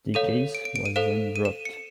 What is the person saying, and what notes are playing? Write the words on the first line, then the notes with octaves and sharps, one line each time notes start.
The case was then dropped.
A4 C#5 F5 D#7
D7
D7
D7
D#7
A4 C5 F5 E7
D#7
E7
C#7